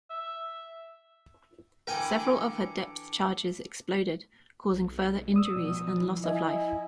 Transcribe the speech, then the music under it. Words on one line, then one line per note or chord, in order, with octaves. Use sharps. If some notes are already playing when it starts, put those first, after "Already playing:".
Several of her depth charges exploded, causing further injuries and loss of life.
E5
D3 E3 A#4 G5 G#5
B1
D5 D#6 E6
B2 F3
E3
E4 D#5 E5 G#5